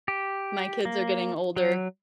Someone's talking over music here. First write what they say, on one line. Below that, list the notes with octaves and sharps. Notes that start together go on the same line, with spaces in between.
my kids are getting older,
G4
A#3
F#3